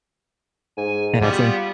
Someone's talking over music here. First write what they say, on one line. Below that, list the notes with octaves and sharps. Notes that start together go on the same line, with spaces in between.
And I think
G#2 G#5
G3 B3 F4